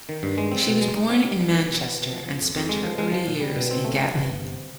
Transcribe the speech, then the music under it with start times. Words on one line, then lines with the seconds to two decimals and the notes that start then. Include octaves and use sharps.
She was born in Manchester and spent her early years in Gatley.
0.09 D#3
0.23 G2
0.38 G#3
0.52 C4
0.67 B2
0.81 G#3
0.96 D#4
1.10 C4
1.24 G3
1.40 G3
1.53 D#3
1.68 B2
1.82 B3
1.97 B2
2.11 F3
2.26 F3
2.40 F2
2.55 F2
2.69 G#3
2.84 F3
2.98 G#3
3.12 F3
3.27 A#2
3.41 G3
3.56 B2
3.71 C4
3.85 A3
3.99 A3
4.14 E3
4.28 G1
4.43 C3